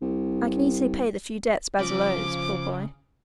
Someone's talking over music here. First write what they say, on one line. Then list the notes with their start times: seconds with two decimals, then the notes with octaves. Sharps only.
I can easily pay the few debts Basil owes, poor boy.
0.02 C2
1.79 C#3 F3 D6